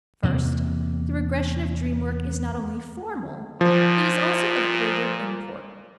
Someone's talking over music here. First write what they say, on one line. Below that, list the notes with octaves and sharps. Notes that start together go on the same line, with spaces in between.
First: the regression of dream-work is not only formal, it is also of greater import.
E2 C3 A#3
A#2 F3